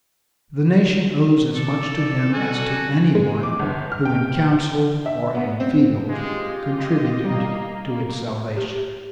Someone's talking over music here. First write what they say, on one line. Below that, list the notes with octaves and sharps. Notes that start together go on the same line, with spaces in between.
The nation owes as much to him as to any one who in council or in field contributed to its salvation.
A4 D5
G3 F#4 A4 G#5
G#3
D6
G1
F6
G5
E5
B3
C4
G#3 F4 G4
D#5
G3 A#3
A#3
G4